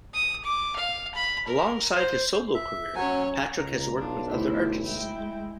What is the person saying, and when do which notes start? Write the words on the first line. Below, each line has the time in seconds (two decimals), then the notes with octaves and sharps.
Alongside his solo career, Patrick has worked with other artists.
0.14 D#6
0.44 D6
0.76 F5
1.15 B5
1.48 A#4
1.95 C5
2.55 E5
2.95 F#3 C#4 C#5 G#5
3.57 C#2 A#5
3.98 B1 D4 F4
4.29 D2 E4 G4 C5
4.84 G#3 E4 G5